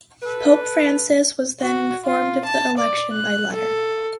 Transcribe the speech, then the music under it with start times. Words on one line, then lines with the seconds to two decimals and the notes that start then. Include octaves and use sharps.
Pope Francis was then informed of the election by letter.
0.23 A4 B4
1.61 F#4
2.05 F4
2.45 A5
2.77 D5
3.13 F#6
3.53 A4